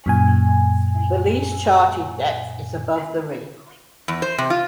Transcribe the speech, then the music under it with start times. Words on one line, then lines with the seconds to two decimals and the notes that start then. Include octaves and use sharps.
The least charted depth is above the reef.
0.06 F#2 A#2 G#5
4.08 E2
4.22 C5
4.38 C3
4.50 F4